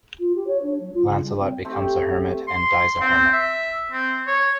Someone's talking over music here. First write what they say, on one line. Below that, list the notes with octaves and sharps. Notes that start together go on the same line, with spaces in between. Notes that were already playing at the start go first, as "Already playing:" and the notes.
Lancelot becomes a hermit and dies a hermit.
F4
G4
C#5
D4
F#3
F4
C#3
G3
C4
A3 C4 G4 A4
C6
C4
E5
C4
C#5